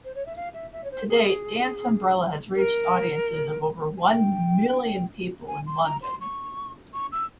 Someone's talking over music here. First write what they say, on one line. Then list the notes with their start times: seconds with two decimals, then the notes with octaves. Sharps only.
To date, Dance Umbrella has reached audiences of over one million people in London.
0.04 C5
0.14 C#5
0.25 E5
0.35 F5
0.53 E5
0.72 E5
0.83 C#5
0.91 C5
1.08 G#4
2.55 A#4
3.97 G#5
4.01 G5
5.47 G#5
5.66 C6
5.84 A#5
6.02 C6
6.20 C#6
6.93 C#6
7.11 E6